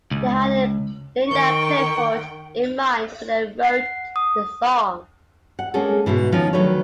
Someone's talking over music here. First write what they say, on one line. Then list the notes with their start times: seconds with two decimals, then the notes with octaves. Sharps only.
They had Linda Clifford in mind when they wrote the song.
0.11 C#2
1.28 D#3 G5 C#6
3.63 F#5 C7
4.16 D#6
5.59 F#5
5.74 G#3 A#3 C4 C#4 G#4 A4
6.06 E2 G#2 B2 E3
6.32 D#3 F3 C#4 D#4 F4
6.53 D2 D#3 F#3 A3 B4 C#5